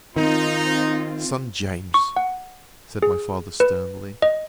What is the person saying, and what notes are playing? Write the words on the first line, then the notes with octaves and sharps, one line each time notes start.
Son James! said my father sternly.
D#3 C4 D#4 F4
C#6
F#5
G#4
B4
D#5